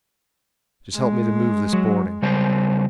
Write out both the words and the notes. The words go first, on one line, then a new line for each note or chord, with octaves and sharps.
"Just help me to move this boarding."
G#3
F#3
C#3 G3 C5